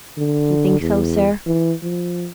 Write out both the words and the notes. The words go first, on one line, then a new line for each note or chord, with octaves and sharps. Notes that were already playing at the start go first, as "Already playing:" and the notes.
'Do you think so, sir?'
D3
E2
E3
F3